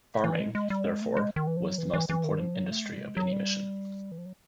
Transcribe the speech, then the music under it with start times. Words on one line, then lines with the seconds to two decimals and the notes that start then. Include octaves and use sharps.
Farming, therefore, was the most important industry of any mission.
0.24 E3
0.40 G#3
0.55 G#3
0.70 G3
0.85 G#3
1.02 A3
1.17 G#3
1.36 D#3
1.47 E3
1.57 F3
1.63 F#3
1.78 E3
1.94 E3
2.09 E3
2.24 D#3
2.40 F3
2.55 F#3
2.70 A3
2.85 G#3
2.94 G3
3.01 G#3
3.17 F#3
3.33 G3
4.12 E3
4.18 F3
4.26 F#3